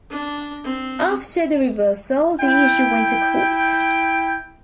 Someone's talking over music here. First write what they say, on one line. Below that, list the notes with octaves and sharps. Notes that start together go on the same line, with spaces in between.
After the reversal, the issue went to court.
D4
C4
E4 G5